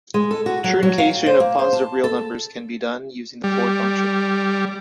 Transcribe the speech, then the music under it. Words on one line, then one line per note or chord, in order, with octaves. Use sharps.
Truncation of positive real numbers can be done using the floor function.
G#3
A4
F#4
F#3
F#3
F5
G5
C5
A#3
C5
A5
A4
G3